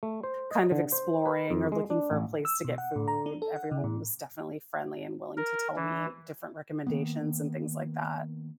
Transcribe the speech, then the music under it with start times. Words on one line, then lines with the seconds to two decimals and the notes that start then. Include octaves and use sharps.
kind of exploring or looking for a place to get food. Everyone was definitely friendly and willing to tell me different recommendations and things like that.
0.03 A3
0.23 C5
0.51 D#5
0.71 D3
0.92 C5
1.26 B4
1.50 F2
1.72 G#3
1.90 D4
2.11 A1
2.45 E6
2.65 B2
2.78 F#5
2.96 A2
3.08 A#5
3.26 D4
3.42 A4
3.56 F#5
3.71 C#3
3.84 A2
5.37 A#4
5.76 E3
6.87 D#3 A#3 B3